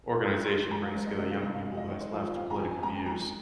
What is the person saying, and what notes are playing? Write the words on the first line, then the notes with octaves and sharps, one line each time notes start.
Organisation brings together young people who has left political views.
F3 D#6
G#2 C6
G#2 A#5
F5
G#3 C5
D#5
C3 D#5
F5
C2 D#5
F5
G#3 F5
D#5
D#3 C5
C5
F3 F5
F2 F5
A#5
F2 G#5
G#5
G#3 A#5
G#5
D#3 A#5